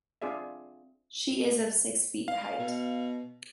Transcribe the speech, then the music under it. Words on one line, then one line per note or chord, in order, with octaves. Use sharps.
She is of six feet height.
C4 D4 F4 G#4 D5 E5
F5
B2